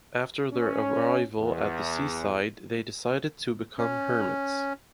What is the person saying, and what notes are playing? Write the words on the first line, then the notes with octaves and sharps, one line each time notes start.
After their arrival at the seaside they decided to become hermits.
C#4
E2
C#4